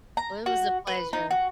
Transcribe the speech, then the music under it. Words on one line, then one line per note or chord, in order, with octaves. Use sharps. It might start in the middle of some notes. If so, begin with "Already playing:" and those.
Oh, it was a pleasure.
A#5
F#4
B4
D#4
F#4